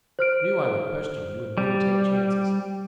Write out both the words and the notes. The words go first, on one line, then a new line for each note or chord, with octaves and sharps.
Knew I would question you and wouldn't take chances.
C5 F6 D7
G3